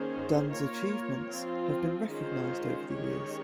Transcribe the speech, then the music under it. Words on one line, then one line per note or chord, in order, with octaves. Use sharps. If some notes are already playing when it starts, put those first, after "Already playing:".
Dunn's achievements have been recognized over the years.
Already playing: D#3 A#3 C#4 G#4 C5
A#3 F4 A#4 C#5
F3 C4 F4
D#3 G#3 C#4 F4 C5
D#3 G#3 C#4 G4 C#5